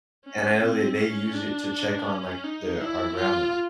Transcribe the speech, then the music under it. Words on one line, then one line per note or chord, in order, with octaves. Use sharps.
And I know they they use it to check on, like, their our grandma,
C#4
C4
C#4
D4
C#4
D#4
E4
F4